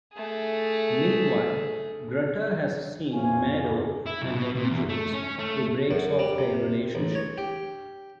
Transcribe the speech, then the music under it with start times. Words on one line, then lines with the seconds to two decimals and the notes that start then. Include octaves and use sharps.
Meanwhile, Grutter has seen Mado and her injuries, who breaks off their relationship.
0.14 A3 G#4
3.14 A1 F2 F3 C#5 F5 G#5
3.61 G1
4.06 E4
4.22 B1
4.34 B2
4.56 A#2
4.70 E2
4.89 A3
5.13 C#4
5.39 A3
5.91 F#2
6.19 G3
6.38 C3
6.95 A1
7.15 C#5
7.38 G4